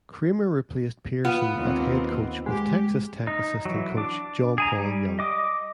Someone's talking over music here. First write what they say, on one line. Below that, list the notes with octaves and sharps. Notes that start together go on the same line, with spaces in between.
Kramer replaced Pearson at head coach with Texas Tech assistant coach, John Paul Young.
B3 F4
D#2 A#3 C4
G#3 G4
D#4
E3 F#3
D4 D6
G#4 G#5 A#5
G3
D#5 D6 D#6